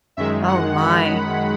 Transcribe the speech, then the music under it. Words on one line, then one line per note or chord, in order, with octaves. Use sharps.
Oh my,
F#2 D#3 G#3 E5
F#5
B5